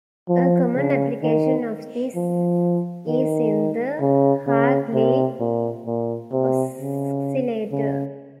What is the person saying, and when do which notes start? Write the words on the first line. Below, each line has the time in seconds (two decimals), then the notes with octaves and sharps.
A common application of this is in the Hartley oscillator.
0.29 F3
0.76 C#3
1.23 D#3
2.15 F3
3.07 D#3
4.00 C#3
4.47 C#3
4.93 C3
5.40 A#2
5.86 A#2
6.32 C3
6.78 C#3
7.71 C#3